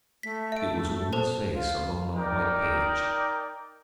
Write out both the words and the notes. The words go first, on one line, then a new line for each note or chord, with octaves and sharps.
It was a woman's face, alone on the white page.
A3 B6
E5 D7
A4 C5 A5
F4
D#4 A#4 D5 G5